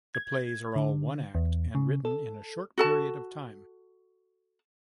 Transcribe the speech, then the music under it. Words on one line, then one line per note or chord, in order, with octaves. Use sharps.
The plays are all one-act, and written in a short period of time.
G#6
D3
E2
C#3
A4
F#4 A4 A5